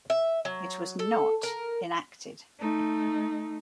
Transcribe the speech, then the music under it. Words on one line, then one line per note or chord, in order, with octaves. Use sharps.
It was "not" enacted.
E5
F#3
A4
A#4
A3 D#4